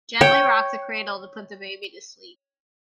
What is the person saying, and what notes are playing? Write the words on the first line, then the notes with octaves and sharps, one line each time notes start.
Gently rock the cradle to put the baby to sleep.
C#5 G5